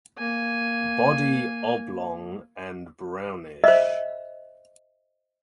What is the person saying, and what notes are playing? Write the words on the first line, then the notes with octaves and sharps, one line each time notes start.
Body oblong and brownish.
A#3 G#5
C5 D#5 E5